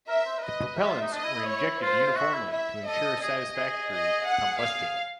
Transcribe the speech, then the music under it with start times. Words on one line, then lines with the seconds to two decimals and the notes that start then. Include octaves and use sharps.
The propellants were injected uniformly to ensure satisfactory combustion.
0.08 A#4 E5
0.26 C5
0.38 A#4
0.43 B4 D#5
0.77 F#4 E5
0.89 F4
1.01 D#4
1.13 D4 D#5
1.24 E4
1.36 E4
1.47 C#5
1.82 F4 C5
2.07 F4
2.17 F#4 E5
2.34 E4
2.52 E4 E5
2.87 A4 D#5
3.21 G#4 D#5
3.56 G#4
3.91 D#5
4.26 F#5
4.60 G#4 F5